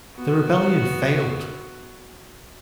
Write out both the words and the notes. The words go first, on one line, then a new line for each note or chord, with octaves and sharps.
The rebellion failed.
B3 F#4